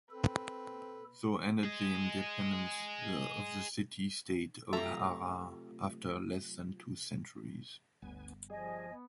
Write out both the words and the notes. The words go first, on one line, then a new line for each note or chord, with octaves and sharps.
So ended the independence of the city-state of Harar after less than two centuries.
C4 A4 B4
G#4 D#5
C3 F#3 A3 F4 A4 E5 A#5
G1 D2 B3 G#5
F3 G3 G#4 D#5 G#5
B3